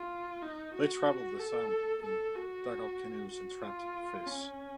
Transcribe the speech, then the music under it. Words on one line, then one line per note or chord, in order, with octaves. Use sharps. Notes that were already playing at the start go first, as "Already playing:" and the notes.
They traveled the sound in dugout canoes, and trapped fish.
Already playing: F4
D#4
F#4
A4
A4
F#4
F#4
F4
C#4